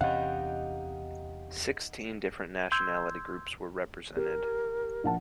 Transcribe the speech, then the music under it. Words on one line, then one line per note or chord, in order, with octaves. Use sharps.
Sixteen different nationality groups were represented.
E2 C3 C#4 D#4 G4 F5 F#5
C6 E6 G6 G#6
G4 A#4
A#1 F#5 A5